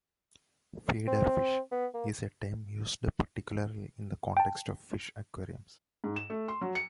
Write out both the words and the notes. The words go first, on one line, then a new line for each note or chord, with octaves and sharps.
"Feeder fish" is a term used particularly in the context of fish aquariums.
C4
B3
A#3
G5 A5
G#2
E7
A3
C6
F#3
C#7